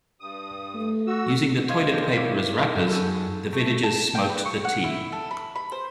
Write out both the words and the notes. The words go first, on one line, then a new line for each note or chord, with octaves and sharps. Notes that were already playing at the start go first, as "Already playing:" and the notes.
Using the toilet paper as wrappers, the villagers smoked the tea.
G2 D#6
A3
F#4 E6
C5 C#5 D#5 F5 G#6
A#3 C4 D4 D#4 G4
E4 C#5 F5 D6
D#4
F#2 G6
C#4 F#4 G#4 A4
A3
A5
G5
B4
C#6
F#5
E4
A4
B5
B5
C5